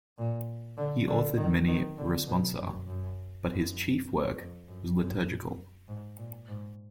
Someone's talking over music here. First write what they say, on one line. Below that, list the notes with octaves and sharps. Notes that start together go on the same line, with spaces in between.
He authored many "Responsa," but his chief work was liturgical.
A#2
D3
D3
D#3
D#3
D3
B2
F#2
F#2
F#2
F2
F#2
F#2
G#2
A#2
G#2